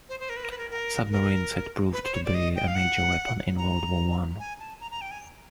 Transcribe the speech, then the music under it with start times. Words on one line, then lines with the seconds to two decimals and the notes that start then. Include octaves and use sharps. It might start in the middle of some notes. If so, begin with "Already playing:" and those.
Submarines had proved to be a major weapon in World War One.
0.09 C5
0.20 C5
0.30 A#4
0.37 B4
0.44 A#4
0.51 B4
0.58 A#4
0.71 A#4
1.12 A#4
1.93 B4
2.04 C5
2.14 C#5
2.25 D5
2.34 D#5
2.55 G5
2.67 F5
2.75 F#5
3.57 A#5
4.39 G#5
4.60 A5
4.80 A#5
4.91 A#5
5.01 G5
5.11 G#5